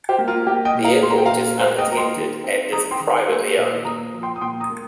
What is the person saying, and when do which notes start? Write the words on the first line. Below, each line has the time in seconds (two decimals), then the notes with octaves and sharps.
The airport is unattended and is privately owned.
0.09 G4 C5
0.19 A#3
0.28 F4 A#4
0.47 A#3 G4
0.65 D#5 G5
0.75 A#2
0.84 F5 A#5
1.03 A#3 C6
1.10 A#5
1.18 G5
1.26 F5 A#5
1.32 A#2
1.59 A#3 C5 F5
1.78 D#5 G5
1.88 A#3 A#5
1.97 G5 C6
2.17 D#3
2.44 C4
2.72 D#3 A#5 D#6
2.91 G5 C6
3.01 D#3
3.10 G5 C6
3.29 A#3
3.57 A#2
3.85 A#2 A#5 D#6
4.14 F3
4.23 G5 C6
4.36 D#6
4.41 A#2 G5 C6
4.60 A#5 D#6
4.70 A#3